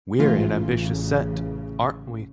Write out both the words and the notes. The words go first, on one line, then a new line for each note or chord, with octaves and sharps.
We're an ambitious set, aren't we?
A1 C#3 E3 A3 F4